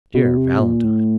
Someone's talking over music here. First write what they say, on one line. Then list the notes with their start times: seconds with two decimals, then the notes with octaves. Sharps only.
"Dear Valentine!"
0.15 B2
0.37 C3
0.60 A#2
0.84 A2